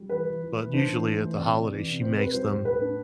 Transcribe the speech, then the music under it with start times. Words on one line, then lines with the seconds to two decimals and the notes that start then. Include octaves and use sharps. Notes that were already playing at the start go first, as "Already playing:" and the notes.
but usually at the holidays she makes them,
Already playing: G3
0.09 E3 B4
0.26 E3
0.42 E3
0.58 E3
0.73 D4 C5
0.89 E3
1.06 A3
1.22 E3
1.37 C3 D5
1.53 C3
1.69 E3
1.85 C3
2.01 C3 C5
2.17 C3 B4
2.33 G3 C5
2.49 A2 C5
2.65 A2 B4
2.81 D4